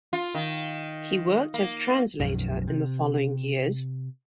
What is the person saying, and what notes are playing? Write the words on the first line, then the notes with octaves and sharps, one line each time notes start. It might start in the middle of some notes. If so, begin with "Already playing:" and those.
He worked as translator in the following years.
F4
D#3
A#3
B1 F#2 D#3 F3
C3